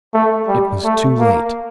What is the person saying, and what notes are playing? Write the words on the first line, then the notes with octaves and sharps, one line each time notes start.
It was too late.
A3
G3
A3
A#3